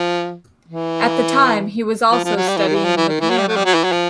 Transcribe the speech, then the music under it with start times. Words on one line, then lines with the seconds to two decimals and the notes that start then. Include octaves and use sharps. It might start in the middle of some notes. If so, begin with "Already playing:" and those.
At the time, he was also studying the piano.
Already playing: F3
0.68 E3
2.12 F3
2.25 F3
2.37 F#3
2.48 G3
2.57 E3
2.67 D#3
2.75 E3
2.84 F3
2.97 E3
3.08 D#3
3.20 E3
3.30 F#3
3.38 G3
3.48 A3
3.56 G3
3.65 F#3
3.74 E3
3.84 F#3
3.92 F3